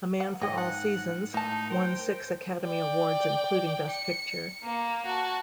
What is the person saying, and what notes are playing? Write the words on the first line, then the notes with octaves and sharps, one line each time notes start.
"A Man for All Seasons" won six Academy Awards, including Best Picture.
F#5
G#2 C#5 D#5 G5
F3 F#5
A2 D#4 E5 A5
A#4 C5 G5
D5 G5
C#7
A#3
F#4 A5